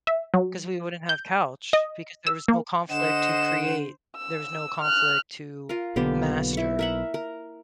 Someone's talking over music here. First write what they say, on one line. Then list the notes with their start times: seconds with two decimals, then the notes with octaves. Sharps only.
'Cause we wouldn't have couch because there was no conflict to create. There was no conflict to master.
0.07 E5
0.34 F#3
1.09 G6
1.73 D#5
2.27 E6
2.48 A#3
2.91 D3 C5 D#5 F#5 E7
4.17 E6
4.82 F6 F#6
5.69 F4 A#4
5.96 B1 D3 A#3 B3 G4
6.53 E4 C#6
6.79 A#4 E5 F#5
7.14 A#4